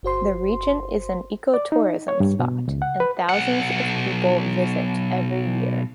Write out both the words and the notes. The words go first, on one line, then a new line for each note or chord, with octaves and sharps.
The region is an eco-tourism spot, and thousands of people visit every year.
G1 F#4 C5 C6
D5
D#4
C#5
G2
B2
C#2
F#5
B4
B1 F#5